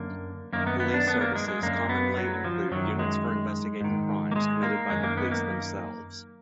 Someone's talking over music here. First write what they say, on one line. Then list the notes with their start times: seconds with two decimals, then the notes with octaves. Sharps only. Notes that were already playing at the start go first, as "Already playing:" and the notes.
Police services commonly include units for investigating crimes committed by the police themselves.
Already playing: F#2 D3 A#3
0.53 F#2 D#3 A#3
0.67 B3
0.80 B3
0.94 D4
1.08 B3
1.21 A#3
1.35 G#3
1.48 G#3
1.62 F#2 D3 A#3
1.89 B3
2.17 F#3
2.44 F3
2.72 F#2 D#3 F#3
2.99 G#3
3.81 G#2 D#3
4.31 A#3
4.36 G#3
4.63 A#3
4.90 F#2 D#3 G#3
5.04 A#3
5.17 B3
5.31 A#3